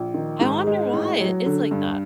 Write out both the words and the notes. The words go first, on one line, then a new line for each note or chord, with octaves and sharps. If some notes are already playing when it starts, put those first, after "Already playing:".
I wonder why it is like that.
Already playing: A#1
D#3
G#2
G#3
A1
F#3
D3
G2